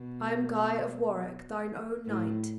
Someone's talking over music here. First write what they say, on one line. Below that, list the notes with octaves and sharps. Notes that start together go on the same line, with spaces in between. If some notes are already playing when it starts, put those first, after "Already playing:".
I am Guy of Warwick, thine own knight.
Already playing: B2
A2